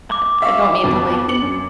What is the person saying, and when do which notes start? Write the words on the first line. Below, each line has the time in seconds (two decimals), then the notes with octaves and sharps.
I I don't mean to, like,
0.12 D6
0.42 E5 F5 C#6
0.84 F2 B2 D#3
1.28 B3 C#7 F#7
1.42 F#2